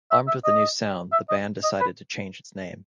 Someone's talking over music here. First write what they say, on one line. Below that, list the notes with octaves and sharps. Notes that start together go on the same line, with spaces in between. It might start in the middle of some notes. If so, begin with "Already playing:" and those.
Armed with a new sound, the band decided to change its name.
E5
E5
D#5
E5
D#5
D#5
B4